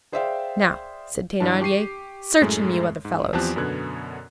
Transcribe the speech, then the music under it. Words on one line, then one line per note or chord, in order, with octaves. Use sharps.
"Now," said Thenardier, "search him, you other fellows!"
G#4 C5 D5 E5 F5 G5
G2 E3 D4 A5
G4 C#6 C7 D#7
F#2 A2 G#3 A3
G#2
E2 F3 C4 G4 A5 F#6
F#2 B2 D3 B3 F#6 G#6